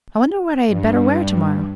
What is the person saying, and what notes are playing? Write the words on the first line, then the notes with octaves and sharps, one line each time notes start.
I wonder what I had better wear tomorrow.
G2